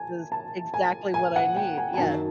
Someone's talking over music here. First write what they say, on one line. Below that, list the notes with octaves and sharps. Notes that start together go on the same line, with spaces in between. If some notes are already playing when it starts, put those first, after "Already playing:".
is exactly what I need, yeah.
Already playing: G#5 A5
A5
G#5
G#5
F#5
G5
G#5
G#5
F#2 D#3 F#3 A5